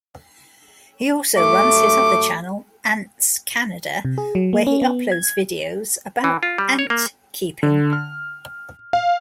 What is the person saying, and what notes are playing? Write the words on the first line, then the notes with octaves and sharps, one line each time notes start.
He also runs his other channel, AntsCanada, where he uploads videos about antkeeping.
G2 F#3 A3 D6
C3
G#4
F#3
A#3
C#4
B3
G#6
E3
F4
G3
C#5
A#3
D3
F6
F5